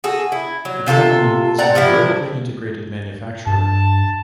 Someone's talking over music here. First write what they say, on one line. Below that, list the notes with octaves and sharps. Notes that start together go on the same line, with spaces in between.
The company is a vertically integrated manufacturer.
F#4 G#4 A4
E4
F#3
C3 F4 F#4 A4
C4 D5 F#5 A#5
C3 F3 D4 E4
G2 A5